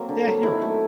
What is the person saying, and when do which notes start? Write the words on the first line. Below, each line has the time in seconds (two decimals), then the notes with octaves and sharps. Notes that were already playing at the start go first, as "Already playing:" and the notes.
yeah, you're right.
Already playing: F#3 A#3 C4
0.09 D3
0.26 F#3 A#3
0.43 D#3 E4
0.61 F#3 A3